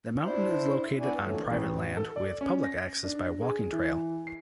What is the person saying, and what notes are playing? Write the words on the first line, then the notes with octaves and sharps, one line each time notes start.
The mountain is located on private land with public access by walking trail.
D4 E4 C5
B3 D4 E4 F#4 D5 G#5
F2 A2 D3 E3 F#3 A3
A1
A4
D5
C#4
A#6
D4
G#4
E3
C7